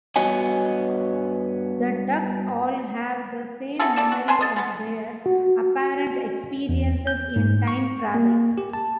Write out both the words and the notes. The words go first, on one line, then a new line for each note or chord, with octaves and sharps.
The Ducks all have the same memory of their apparent experiences in time travel.
G2 B3 F#4 C#5 D#5 G#5
E4 F#4 G#4 A4
G3 D5 A5
F#4
B4 G#5 A5 C6
A4 D#5
G3 B3
F#4
E2
G6
G#2
C#6
A#3
G4
A5